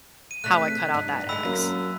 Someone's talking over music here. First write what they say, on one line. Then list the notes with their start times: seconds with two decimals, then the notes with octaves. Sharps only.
how I cut out that ex.
0.31 D#7
0.44 E2 C3 A3 F#6 B6
0.94 G2 D4 D#4
1.29 D3 G#3 A3 B5 E6
1.45 F#2 A#3